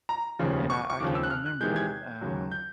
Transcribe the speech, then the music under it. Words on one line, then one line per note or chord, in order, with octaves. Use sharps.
And I I can't remember, um
A#5
F1 D#2 C#3 F3
C#6
C#6
D#2 C#3 F3 D6
E6
F#6
F6
F#6
E2 C3 D#3 G#3 G6
G#6
D#2 C#3 F#3
G6